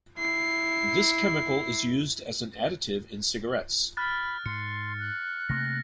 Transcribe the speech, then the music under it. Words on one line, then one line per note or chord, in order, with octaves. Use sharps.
This chemical is used as an additive in cigarettes.
E4 C7
B5 F6 F#6 A6
G#2 C6 C#7
F#6
C3 A3 A#3 A#6